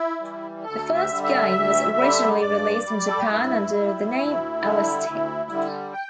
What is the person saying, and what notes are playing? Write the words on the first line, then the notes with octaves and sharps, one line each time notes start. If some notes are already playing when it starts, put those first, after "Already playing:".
The first game was originally released in Japan under the name Aleste.
Already playing: E4
E3 G3
D2 A4
E5
D3 G3
E5
D2
D3 G3
G2 D5
G3
A4
G4
G2 E4
G3
D2
D3 G3
D2
D3 G3
G5